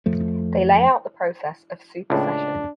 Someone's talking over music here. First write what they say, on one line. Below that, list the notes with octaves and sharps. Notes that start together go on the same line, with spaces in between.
They lay out the process of supersession.
F2 F3 A3
C#2 A2 D4